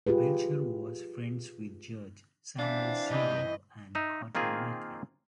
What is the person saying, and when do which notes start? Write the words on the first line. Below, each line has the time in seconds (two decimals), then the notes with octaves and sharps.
Belcher was friends with Judge Samuel Sewall and Cotton Mather.
0.07 F4 G4 G#4 B4
2.59 C3 E3 D4 F5
3.11 C3 E3 D#4 E4 D#5
3.95 D#4 E5
4.35 D#3 A#3 C4 F4 G#4